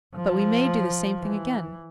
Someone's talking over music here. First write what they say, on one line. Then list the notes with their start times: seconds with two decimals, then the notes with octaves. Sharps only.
But we may do the same thing again.
0.16 F3
1.20 E3